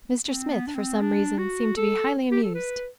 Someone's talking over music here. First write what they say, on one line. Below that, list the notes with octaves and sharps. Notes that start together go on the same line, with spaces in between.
Mr. Smith, for some reason, seemed to be highly amused.
C4
B3
D4
C4
D4
F#4
A4
G4
A4
B4